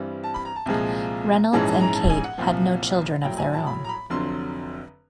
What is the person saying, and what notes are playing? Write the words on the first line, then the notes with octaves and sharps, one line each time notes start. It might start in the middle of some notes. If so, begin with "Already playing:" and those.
Reynolds and Kate had no children of their own.
Already playing: G2 E3 G3 C4
A5
B5
A#5
A5
C2 A#2 F3 G#3
A#1 G#2 E3 G#3 C#4 A5
A5
A#5
A5
G#5
F#5
C2 A#2 F3
A#1 A2 F#3 G5
G#5
A5
B5
A#5
B5
F1 F2 D3 F#3 C6